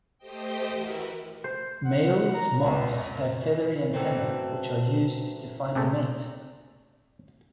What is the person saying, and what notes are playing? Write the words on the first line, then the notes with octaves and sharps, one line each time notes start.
Males moths have feathery antennae, which are used to find a mate.
A3 G4 C5 D#5 G5
E3 E4 F#4 A#4 B4
C5
F#5
A#5
C#2
F#2
E3
E3 F#3 A3 C4
C3 G#3 A3